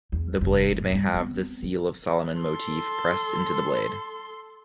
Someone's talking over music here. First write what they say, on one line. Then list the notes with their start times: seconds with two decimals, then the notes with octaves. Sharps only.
The blade may have the Seal of Soloman motif pressed into the blade.
0.12 E2
0.41 F1 F2
0.70 A#1 A2
0.92 G3 D4
1.14 B3 C4
1.62 D#3
2.40 A4 C6